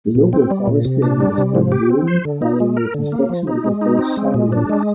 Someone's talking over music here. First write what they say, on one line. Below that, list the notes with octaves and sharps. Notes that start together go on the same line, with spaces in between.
The local forestry industry boomed following the construction of the first sawmills.
A#2
C4
G3
A#2
C3
D4
G3
C3
F3
G4
C4
C5
D3
D#4
G#3
A#4
D3
A#3
F3
D#4
G#3
D#4
C4
G#3
A#2
D4
G#3